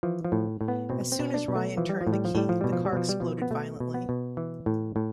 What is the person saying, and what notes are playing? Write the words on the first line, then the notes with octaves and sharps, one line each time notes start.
As soon as Ryan turned the key, the car exploded violently.
E3 F3
F3
A2
A2
B3
B2 C4
C4
B2
D4
B2
A3
E3 F3
G3
F3
A2
G3
F3
A2 G3
F3
B2 G3
F3
G3
B2 F3
G3
B2 F3
B3
B2 A3
B2
B3
B2
E3
A2
A2